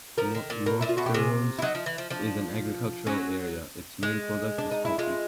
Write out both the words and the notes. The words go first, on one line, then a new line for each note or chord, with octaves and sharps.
Mosteiros is an agricultural area, its main product is coffee.
F3 A#4
D#3
A#2
B2 A#4
A#2 E4
F4
B2 F#4
G4
C3 G#4
E4
F#3 D#4
F3
E3
F3
F3 D4
F#3 C#4
G#3
D4
D#4
E4
G#3 F4